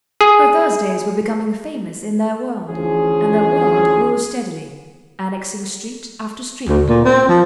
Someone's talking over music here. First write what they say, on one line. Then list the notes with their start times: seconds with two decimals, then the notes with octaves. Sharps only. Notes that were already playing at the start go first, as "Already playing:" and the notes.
Her Thursdays were becoming famous in their world; and their world grew steadily, annexing street after street.
0.21 G#4
2.69 D2 E3 F3 C#4 G#4
6.69 D2
6.88 A#2
7.05 C4
7.29 F3